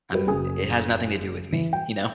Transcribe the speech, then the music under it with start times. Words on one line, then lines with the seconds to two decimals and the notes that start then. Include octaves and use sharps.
I'm i it has nothing to do with me, you know?
0.13 G3 F#4 B4
0.26 F#1 F#3 G#4 G#5 D#6
1.53 E3
1.73 G5